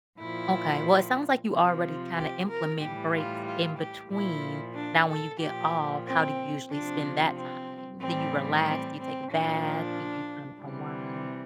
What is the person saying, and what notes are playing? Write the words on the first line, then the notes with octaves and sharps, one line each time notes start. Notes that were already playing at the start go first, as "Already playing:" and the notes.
Okay. Well, it sounds like you already kinda implement breaks in between. Now when you get off, how do you usually spend that time? Do you relax? Do you take a bath? Do you kinda unwind?
A#2 F3 E4
C3 F3
G4
A#4
A2 E3 G3 G4
F4
F4
G4
A#2 F3 E4
D4
A4
A#2 F3 G4
C4
C3 F3 D4
C4
A2 E3 G3 C4
C4
C4
A#2 F3 D4
C3 E3 G3